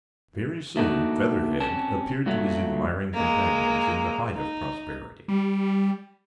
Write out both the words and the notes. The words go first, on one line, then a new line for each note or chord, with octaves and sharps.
Very soon Featherhead appeared to his admiring companions in the height of prosperity.
A3 A#3 D4 D#4 F#4
C4 C#4 A5
G2 A#2 F#3 A3
G#3 A#3
D#4
G3